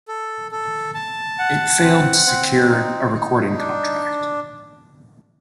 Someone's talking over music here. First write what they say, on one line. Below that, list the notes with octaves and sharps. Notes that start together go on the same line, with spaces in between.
It failed to secure a recording contract.
A4
A4
A5
F#5
C4
C4
D#4
D#4
D4